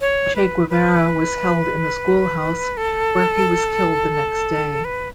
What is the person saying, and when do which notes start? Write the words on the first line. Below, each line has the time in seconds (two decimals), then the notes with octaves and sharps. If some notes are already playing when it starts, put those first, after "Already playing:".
Che Guevara was held in the schoolhouse, where he was killed the next day.
0.01 C#5
0.35 B4
0.70 B4
2.77 A4
4.84 B4